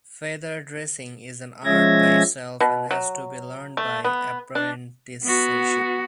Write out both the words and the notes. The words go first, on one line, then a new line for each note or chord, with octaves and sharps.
Feather dressing is an art by itself and has to be learned by apprenticeship.
F3 G#3 C#4 E5 G#6 A#6
B2
F#3
A3
B3
D4
B3 F#4